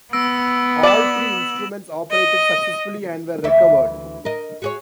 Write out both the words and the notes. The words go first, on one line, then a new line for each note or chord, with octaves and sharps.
All three instruments operated successfully and were recovered.
B3 E6 A#6 D7
D5 E7 F#7
D#5
D2 E3 E5
A#4 D#5
F#4 G#4 C#5